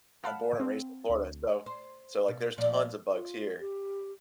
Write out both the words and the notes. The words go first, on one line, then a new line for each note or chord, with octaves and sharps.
I'm born and raised in Florida, so so, like, there's tons of bugs here,
F5 F#5 A5 B5
C4
D2
C5
B2
A#2 F3 D5
F4
G4